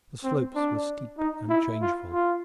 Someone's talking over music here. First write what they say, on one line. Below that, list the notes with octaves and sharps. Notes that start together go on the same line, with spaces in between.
The slopes were steep and changeful.
C4
D4
D#4
E4
F4
F4